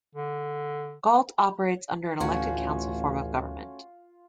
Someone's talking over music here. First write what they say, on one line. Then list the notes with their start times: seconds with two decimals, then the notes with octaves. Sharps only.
Galt operates under an elected council form of government.
0.15 D3
2.20 A1 D2 A3 C#4 F4 F#4